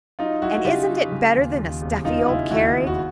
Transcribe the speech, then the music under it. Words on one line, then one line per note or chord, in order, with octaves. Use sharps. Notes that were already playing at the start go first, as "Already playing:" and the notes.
"And isn't it better than a stuffy old carriage?"
F#3 D#4 F4
F#3 E4 F#4
F#4
C#3 F4 G4
F#3
C#3
D#2
D#2
E1
C#3 D#4 F4
F4
C#3 E4
D#2 E4 F#4
E1
F#4